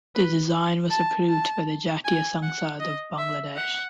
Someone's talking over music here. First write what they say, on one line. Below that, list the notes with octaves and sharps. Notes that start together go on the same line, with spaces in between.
The design was approved by the Jatiya Sangsad of Bangladesh.
B4
A5
A5
G#5
F#5
D#5
E5
F#5